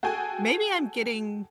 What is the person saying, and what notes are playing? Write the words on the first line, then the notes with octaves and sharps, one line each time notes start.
maybe I'm getting
F#4 G#4 A4 G5 G#5